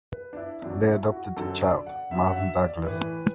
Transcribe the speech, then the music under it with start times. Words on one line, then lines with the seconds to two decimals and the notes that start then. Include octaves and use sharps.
They adopted a child, Marvin Douglas.
0.12 B4
0.33 D4
0.37 E4
0.62 F#2 F#3 D4
0.87 E4
1.12 F#4
1.37 F#2 D3 F#3 A4
1.62 D5
1.87 F#5
2.11 F#2 D3 F#3 E5
2.27 F#5
2.36 E5
2.61 D5
2.86 A2 E3 B4